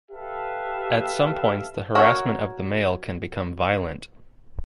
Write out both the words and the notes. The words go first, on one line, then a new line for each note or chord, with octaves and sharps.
At some points, the harassment of the male can become violent.
G4 A4 B4 E5 F5
F#4 A#4 C#5 E5